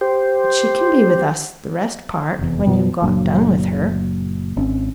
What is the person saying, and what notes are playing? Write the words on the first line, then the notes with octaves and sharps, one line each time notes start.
"But she can be with us the rest part, when you've got done with her."
G4 C5
F1 E2
F#2 B2 F3
F#1 A#2 F#3 D4
G#1 C4 C#4